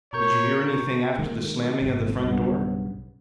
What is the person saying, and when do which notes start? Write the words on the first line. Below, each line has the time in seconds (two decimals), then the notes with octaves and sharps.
"Did you hear anything after the slamming of the front door?"
0.13 B2 A#4 C#5 A#5 C#6 G6
1.18 D#3 G#3 A#3
1.82 G#1
2.24 B1 G2 C#3 B3